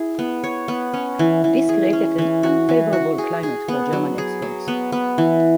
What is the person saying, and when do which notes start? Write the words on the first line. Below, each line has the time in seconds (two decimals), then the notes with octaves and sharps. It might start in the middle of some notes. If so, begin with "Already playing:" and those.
This created an unfavorable climate for German exports.
Already playing: E4 G#4
0.19 B3
0.44 C#5
0.68 B3
0.94 C#4
1.19 E3
1.44 E3
1.69 G#4
1.93 C#4
2.18 E3
2.43 F#4
2.69 E3
2.93 F#4
3.18 G#4
3.43 G#4
3.68 B3
3.93 F#3
4.18 G#4
4.42 F#3
4.68 B3
4.92 B3
5.18 E3